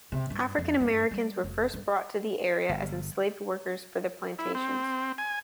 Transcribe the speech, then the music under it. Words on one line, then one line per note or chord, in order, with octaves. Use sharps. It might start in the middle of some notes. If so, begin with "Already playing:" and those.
African Americans were first brought to the area as enslaved workers for the plantations.
C3
G2
F2
G2
G3
F1
G2
G1
E4
C4
G#5